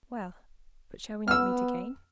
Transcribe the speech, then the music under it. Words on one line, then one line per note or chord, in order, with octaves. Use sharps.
"Well, but shall we not meet again?"
B3 E6 F6